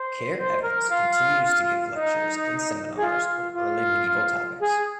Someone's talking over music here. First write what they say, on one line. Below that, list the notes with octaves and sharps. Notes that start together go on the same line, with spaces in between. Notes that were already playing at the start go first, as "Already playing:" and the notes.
Care Evans continues to give lectures and seminars on early medieval topics.
Already playing: C5
C5
A#4
F4
D#4
G#4
F4
F4
G#4